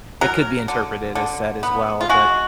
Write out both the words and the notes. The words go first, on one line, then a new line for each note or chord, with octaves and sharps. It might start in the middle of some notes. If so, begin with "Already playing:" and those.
it could be interpreted as set as well. But,
F#3 A#4
D3
D3
B3
F4
G#3 F#4